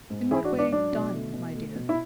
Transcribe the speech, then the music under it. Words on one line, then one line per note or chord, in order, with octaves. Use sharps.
"In what way 'done,' my dear?"
G#2
E3 E4 G#4
D4 F#4
G#2
D4
F#3 D4
B2
A3
B2
A3
B2
E4